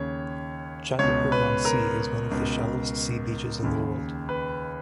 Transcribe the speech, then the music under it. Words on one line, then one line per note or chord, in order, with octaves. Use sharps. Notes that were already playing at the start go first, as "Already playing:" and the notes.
Chandipur on sea is one of the shallowest sea beaches in the world.
Already playing: D#2 C#3 C#5
C#2 B2 C#5
B4
A#4
C#2 B2
D#2 C#3
B4